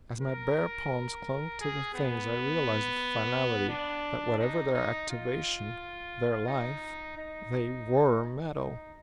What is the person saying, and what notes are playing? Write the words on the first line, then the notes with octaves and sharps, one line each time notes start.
As my bare palms clung to the Things I realized with finality that whatever their activation, their life, they WERE metal.
A#4
G#4
B3
D4
D#4
D#4
F4
D#4
D#4
D#4